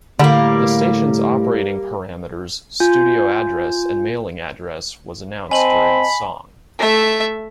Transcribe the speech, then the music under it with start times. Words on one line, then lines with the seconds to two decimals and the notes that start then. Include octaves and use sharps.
The station's operating parameters, studio address and mailing address was announced during the song.
0.19 A2 D3 G3 A#3
2.80 F4 G#5 G6
5.51 C4 D#5 G#5 A5 B5 F#7
6.79 A3 E5